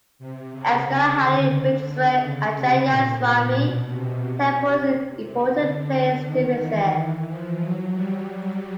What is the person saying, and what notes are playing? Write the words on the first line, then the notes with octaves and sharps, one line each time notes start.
S. Gollahalli Village Sri Anjaneya Swami temple is an important place to visit.
C3
C#3
D3
D3
C#3
C3
A#2
B2
C3
C3
D3
D#3
E3
F3
F#3
G3